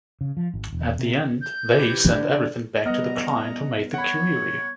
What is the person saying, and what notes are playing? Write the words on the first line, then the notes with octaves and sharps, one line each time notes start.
At the end They send everything back to the client who made the query.
C#3
F3
G#1
E1
C3
G6
E3 C4 G4
D3
G3 B3 D#5 F#5 A#5 F6
C#5 F#5 B5